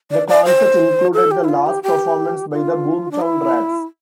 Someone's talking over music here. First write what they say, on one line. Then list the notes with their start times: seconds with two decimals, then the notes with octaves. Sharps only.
The concert included the last performance by The Boomtown Rats.
0.11 D5
0.28 D5
0.45 C5
1.14 A4
1.31 G4
1.44 E4
1.49 F4
1.66 G4
1.83 G4
2.52 F4
3.11 D4
3.21 E4